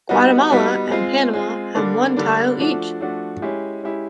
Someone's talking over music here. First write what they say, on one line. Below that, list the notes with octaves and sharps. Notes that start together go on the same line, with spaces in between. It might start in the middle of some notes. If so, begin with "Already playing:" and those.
Guatemala and Panama have one title each.
G3 B3 D#4 F#4
G3 B3 D#4 F#4
G#3 C4 F4
G#3 C4 F4
D3 G3 A#3 D4
D3 G3 A#3 D4
F3 A3 D4 F#4
F3 A3 D4 F#4
G#3 C#4 E4 G4
G#3 C#4 E4 G4